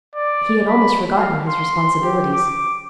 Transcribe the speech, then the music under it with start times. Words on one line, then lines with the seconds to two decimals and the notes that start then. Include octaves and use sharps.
He had almost forgotten his responsibilities.
0.15 D5
0.69 B5
1.17 F5
1.48 C6
2.02 G4
2.33 D6